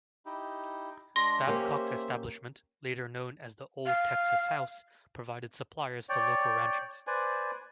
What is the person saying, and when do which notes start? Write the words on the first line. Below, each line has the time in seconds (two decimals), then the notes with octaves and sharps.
Babcock's establishment, later known as the Old Texas House, provided supplies to local ranchers.
0.26 D#4 E4 G4
1.16 G#3 D4 C6 A#6
1.47 A#3 C#4 G4 C5 E5
3.86 F5
6.09 C#5 D5 G5
7.07 B4 C5 D5 G#5